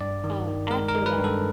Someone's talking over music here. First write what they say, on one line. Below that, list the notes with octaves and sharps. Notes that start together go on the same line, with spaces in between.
um, after that.
G2 D5
D#3
D#3
G#3 A#4
A#4
G#3
B4
G2
A4